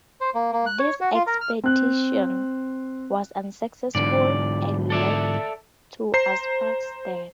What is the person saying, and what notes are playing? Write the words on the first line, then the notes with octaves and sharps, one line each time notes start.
This expedition was unsuccessful and led to Uspak's death.
C5
A#3
A#3
F#6
C#5
F#4
F4
A#4
F6
C4 F#6
G#2 D3 D5
A4 D5 E5
C5 A#5 C7